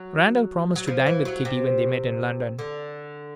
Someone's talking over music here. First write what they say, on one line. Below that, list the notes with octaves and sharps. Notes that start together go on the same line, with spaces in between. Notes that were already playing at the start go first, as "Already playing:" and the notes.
Randal promised to dine with Kitty when they met in London.
Already playing: F#3
F#3
F3
E3
F#3
C3
D3